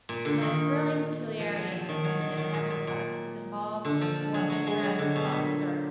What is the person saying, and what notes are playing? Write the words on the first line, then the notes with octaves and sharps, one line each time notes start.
The most thrilling peculiarity of this incident, nevertheless, is involved in what Mr. S. himself asserts.
A#2
D3
D#3
F3
F#3
F3
D#3
F#3
D#3
D#3
A#2
A#2
A#2
D3
F3
F#3
F#3
G#3
F#3
D3
B2
A#2